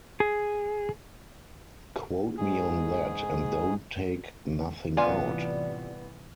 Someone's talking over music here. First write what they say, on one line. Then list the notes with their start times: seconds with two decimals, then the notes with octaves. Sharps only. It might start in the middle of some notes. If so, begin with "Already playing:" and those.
Quote me on that and don't take nothing out.
0.20 G#4
2.37 G#2 G#4
4.97 A1 G2 C3 E3 B3 F4 D5 G#5